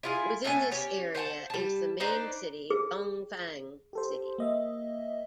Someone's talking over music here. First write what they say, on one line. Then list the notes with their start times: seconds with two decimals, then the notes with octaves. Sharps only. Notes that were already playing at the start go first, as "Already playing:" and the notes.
Within this area is the main city, Dongfang City.
0.03 E4 F4 G#4
0.44 A2 A3 B3 G#5
0.72 C#4 G4
1.15 C5 F#5 G#5 A5
1.50 G3 A5
2.00 D4 D#4 B4 C5
2.70 G#4
3.93 G4 A4 C5
4.38 A#3 D#5 E5